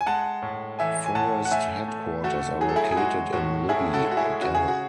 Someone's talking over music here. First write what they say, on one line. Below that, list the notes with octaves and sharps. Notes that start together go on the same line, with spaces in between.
Forest headquarters are located in Libby, Montana.
G#5
G#3 F#5 A5
A2
E3 E5 G#5
G#5
A2 F#5 A5
F#5
A3 E5 G#5
A3
A3 F#4 A4
F#3 G#4
A4
E4 G#4
G#4
G#3 F#4
A2 F#4
A2 E4 G#4
F#4 A4
G#3
F#4
E4 G#4
C#3 F#4
G#4
F#4